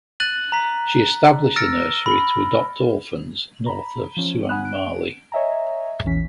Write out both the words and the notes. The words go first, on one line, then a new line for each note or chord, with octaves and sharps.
She established the nursery to adopt orphans north of Suan Mali.
F#6 A6 D#7 F#7
A#5 B6
E6 F6 A6 A#6 C#7 D7
B5 G7
A#5 B5
F3 C#4
F#5 G#5 B5 D#6 F#6
D7
C#5 D#5 E5 G#5 A#5
A#1 E2 E3 C#4 B6